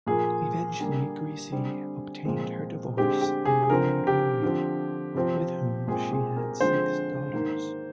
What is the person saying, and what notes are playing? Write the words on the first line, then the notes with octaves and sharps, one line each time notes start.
Eventually, Grisi obtained her divorce and married Mario, with whom she had six daughters.
A#2 F3 A#3 G#4
D3 G3 A#3
D3 G3 C4
A#2 F3 G#3 C4
D3 G#3 C4 G4
G4
G#4
G#4
D3 F3 C4 A#4
G4
D3 F3 C4
C3 F3 C4
A#2 G#3 C4 G#4
G#4
A#4
D3 F3 G#3 C4 C5
G#2 D#3 A#3